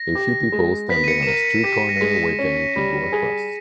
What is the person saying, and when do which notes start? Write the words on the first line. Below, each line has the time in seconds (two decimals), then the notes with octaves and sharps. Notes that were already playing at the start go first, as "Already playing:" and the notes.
A few people standing on a street corner waiting to go across.
Already playing: A#6
0.15 G4
0.52 G#3
0.89 B3 B6
1.04 D#7
1.08 C#7
1.23 E7
1.27 A#4 D#7
1.45 C#7
1.63 G4 B6
1.89 A#6
1.97 B6
2.01 G#3 A#6
2.14 B6
2.39 C#4
2.76 G3
3.13 G#4